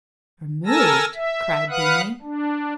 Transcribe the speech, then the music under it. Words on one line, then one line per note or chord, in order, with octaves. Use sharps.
"Removed!" cried Bingley.
A4 A#4 G#5 A5 E6 A#6
E5
B4 F5 F#5 D#6 F#6
D4